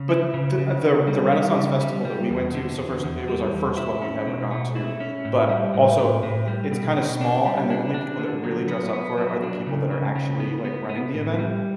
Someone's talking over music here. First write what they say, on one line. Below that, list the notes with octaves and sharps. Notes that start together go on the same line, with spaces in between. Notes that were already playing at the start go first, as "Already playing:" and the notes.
but, the the the Renaissance Festival that we went to so, first, it was our first one we've ever gone to, but, also, i i it's kinda small, and the only people that really dress up for it are the people that are actually, like, running the event.
Already playing: C#3
E4
C#3
C#3
C#3
G3
G3
C#3
G3
G3
E2
D3
E2
E2
G3
E2
E4
C#4
B2
A3
E4
C#4
A2
G3
A2
A2
A2
G3
B2
B2
D4
G3
D4
D4
D3
F#3
B3
B3
F#3
D4
C#3
C#3
C#3
B3
B3
B3
A2
G3